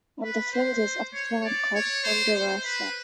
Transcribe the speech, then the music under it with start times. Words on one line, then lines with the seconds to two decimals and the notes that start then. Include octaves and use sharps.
On the fringes is a farm called "Ponderosa".
0.23 B4
0.53 C5
1.13 C#5
1.44 D5
1.75 C#5
2.04 C5
2.34 C5
2.64 B4